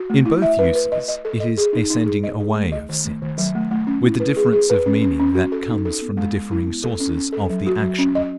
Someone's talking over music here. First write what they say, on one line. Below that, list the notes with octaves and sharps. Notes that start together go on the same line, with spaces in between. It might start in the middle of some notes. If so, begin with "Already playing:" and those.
In both uses, it is a sending away of sins, with the difference of meaning that comes from the differing sources of the action.
Already playing: F#4
A3
E4
E5
B4
B4
D#5
D#5
A4
D#5
G#4
D#4
D#4
G#4
D#5
G#4
A3
D#5
D#3
A3
D#3
F#3
A3
A3
C#4
E4
B4
G#4
G#4
B4
C#4
C#4
C#4
F#4
A4
D#4
A4
B3
G#3
G#3
E4
B3
A4
C#4
C#4
A4
F#3
F#4
F#3
C#4
D#5